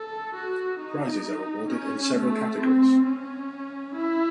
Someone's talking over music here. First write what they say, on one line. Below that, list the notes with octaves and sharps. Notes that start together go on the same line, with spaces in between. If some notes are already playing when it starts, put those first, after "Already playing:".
Prizes are awarded in several categories.
Already playing: A4
F#4
D#4
C#4
A3
C4
C#4
E4